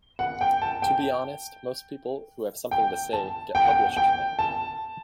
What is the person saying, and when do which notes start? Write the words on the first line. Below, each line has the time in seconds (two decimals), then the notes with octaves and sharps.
To be honest, most people who have something to say get published now.
0.19 F#5
0.41 G5
0.62 A5
0.82 G5
2.71 G5
3.13 A5
3.55 G5
3.62 F#5
3.70 G5
3.97 G5
4.39 A5